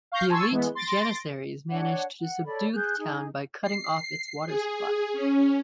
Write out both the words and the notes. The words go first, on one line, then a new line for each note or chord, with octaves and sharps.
The elite Janissaries managed to subdue the town by cutting off its water supply.
F5 C#6 G6 A#6 C7
G#5 A5 C6 C#6 E6 G#6
E3 G#3 B3
C6 A6 A#6 D7
D4 C#5 F#5
F#5
A4 C#5 D5 B5
G#4 F#6 G6
D#4 G#4
C7
G#4
C#4